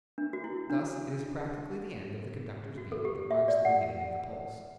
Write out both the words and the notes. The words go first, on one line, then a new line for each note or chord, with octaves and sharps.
Thus it is practically the end of the conductor's beat that marks the beginning of the pulse.
D4
F#4
E4
D4
F#4
A4
G4
E5
D5
F#5